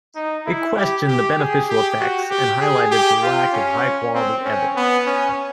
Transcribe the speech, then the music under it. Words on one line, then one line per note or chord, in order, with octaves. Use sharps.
It questioned the beneficial effects and highlighted the lack of high-quality evidence.
D#4
E4
G4
G4
G#4
G4
F#4
G4
G#4
G4
F4
C#4
C4
C#4
B3
C#4